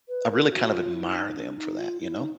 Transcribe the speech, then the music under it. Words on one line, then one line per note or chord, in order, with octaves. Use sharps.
I really kind of admire them for that, you know?
B4
A#4
F#4
F4
E4
D#4
D4
D#4
F4
E4
D#4